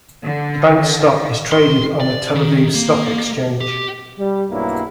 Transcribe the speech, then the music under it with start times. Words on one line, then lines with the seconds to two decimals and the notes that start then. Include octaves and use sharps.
The bank's stock is traded on the Tel Aviv Stock Exchange.
0.24 D3
1.52 C6
2.00 D5
2.35 D#3
2.75 A#3
3.61 G4
4.18 G3
4.50 B1 G2 F#3 A#3 E4